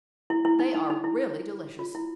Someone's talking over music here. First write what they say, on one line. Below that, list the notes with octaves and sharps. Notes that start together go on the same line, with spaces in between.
They are really delicious.
E4
E4
D#4
D#4
D#4
E4
F4
E4